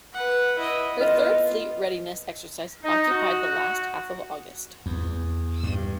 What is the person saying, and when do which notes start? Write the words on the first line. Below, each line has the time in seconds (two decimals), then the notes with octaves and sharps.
Her third fleet readiness exercise occupied the last half of August.
0.13 B4 F#5
0.58 E4 D#5
1.01 B3 F4 B4 D#5
2.84 D#4
3.10 F#4
4.86 E2
5.63 G2